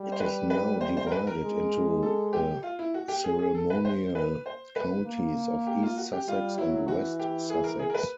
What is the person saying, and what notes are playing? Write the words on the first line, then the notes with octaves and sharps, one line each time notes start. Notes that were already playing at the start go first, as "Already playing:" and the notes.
It is now divided into the ceremonial counties of East Sussex and West Sussex.
Already playing: G3
C5
B4
B4
C5
C5
A#4
B4
A#4
G#3
A4
G4
F4
E4
F#4
G4
G#4
G#4
A4
B4
C5
B4
C5
B4
A#3
G4
F4
F#4
G4
G3 F4
F#3 E4
E3 F#4
G4
G#4
A#4
G#4
A#4
B4